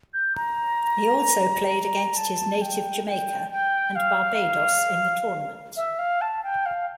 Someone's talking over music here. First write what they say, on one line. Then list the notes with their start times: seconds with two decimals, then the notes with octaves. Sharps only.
He also played against his native Jamaica and Barbados in the tournament.
0.13 G6
0.35 A#5
2.16 A5
2.61 G5
3.06 G5
3.51 G5
3.95 F5
5.76 E5
5.98 F5
6.21 A5
6.43 G5
6.65 F5